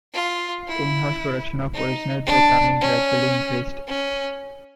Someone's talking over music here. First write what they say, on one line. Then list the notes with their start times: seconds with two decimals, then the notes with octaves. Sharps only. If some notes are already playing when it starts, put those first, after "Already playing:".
In-house production of original programming gradually increased.
0.13 F4
0.67 E4
1.74 D#4
2.26 D4
2.81 C#4
3.88 C#4